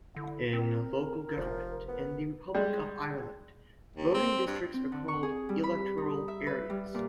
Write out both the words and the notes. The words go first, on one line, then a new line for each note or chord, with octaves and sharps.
In local government in the Republic of Ireland voting districts are called "electoral areas".
D3 E4
C4 A#4
F1 F3
B3
G3 G#3
D#2
C4
G2
C4
D3
C#6
G#4
G3
B5
D#4
E5
B4
G3
A#2